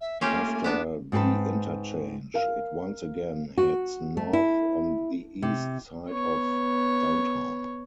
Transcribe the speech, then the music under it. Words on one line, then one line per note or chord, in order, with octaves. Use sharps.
After the interchange, it once again heads north on the east side of Downtown.
E5
A3 A#3 C#4 F4 G4 G#5
B3 D4 A5
G#2 C4 G#4 B4 A5
A#4 F5
F#4
A3
E4
C3
B3 C#5